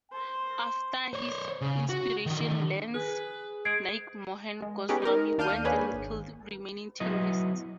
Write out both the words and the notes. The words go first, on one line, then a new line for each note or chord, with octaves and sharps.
After his inspiration Lance Naik Mohan Goswami went and killed remaining terrorists.
C5
C5 C#5
C#3
F#4
D3 D#3
G#4 B4
G#3 G#6 C7 D7
G#3
B3 C#4 D#4 G4 G#4 B4
D#4 A#4
D#2 D4 F5 F6 G6 D#7
A#3 D4 G#4 B4 C#5
G#1
F#3 B3 E4 D#5